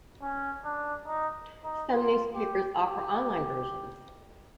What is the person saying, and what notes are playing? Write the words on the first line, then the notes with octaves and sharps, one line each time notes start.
Some newspapers offer online versions.
C#4
D4
D#4
D#4
F4
G4
G4